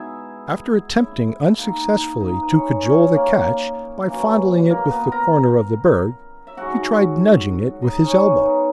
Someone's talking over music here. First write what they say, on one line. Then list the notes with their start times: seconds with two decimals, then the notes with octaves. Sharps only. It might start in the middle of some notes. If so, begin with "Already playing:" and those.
After attempting unsuccessfully to cajole the catch by fondling it with the corner of the berg, he tried nudging it with his elbow.
Already playing: B2 G#3 D#4 E4 G#4 E5 G#5
0.96 E4 E5
1.58 D#3 A#3 D#4
2.20 D#4 D#5
2.42 B4
2.51 C#4 C#5
2.82 C#4 C#5
3.14 A#3 A#4
4.08 F#2 E3 A#3 C#4
4.70 A#3 A#4
4.91 B3 B4
5.12 A#4 A#5
6.47 E5
6.57 G#2 F#3 C#4 F#4 F#5
7.82 D#4 D#5
8.03 C#4 C#5
8.24 B3 B4
8.45 D#4